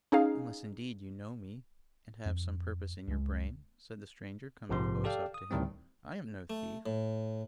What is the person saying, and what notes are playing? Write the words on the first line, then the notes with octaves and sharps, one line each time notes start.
Unless indeed you know me, and have some purpose in your brain?' said the stranger, coming close up to him. 'I am no thief.'
C#4 D#4 G#4 F5
F2
C#2 G#3
A#1 G#2 C3 F3 C6
G4 A4 D5 F5 G5
D#6
D2 A2 D#3 G3 C4
A3
A2